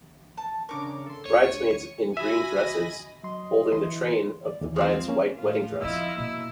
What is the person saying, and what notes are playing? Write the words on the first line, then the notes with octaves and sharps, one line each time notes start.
Bridesmaids in green dresses holding the train of the bride 's white wedding dress.
A5
C#3 D4 A#4 C#6 D6
A4 C6
D2 C#5 C#7 D#7
F#4 E5 G#5 B5 A#6
D#5
F#3 D#5 C6
E3 C6
D5
D#2 E3
F3 G#3 C4
A#3 C#4
A2 F4
F3 C4 E4 F4 D#5 E6
B2 A#3 E4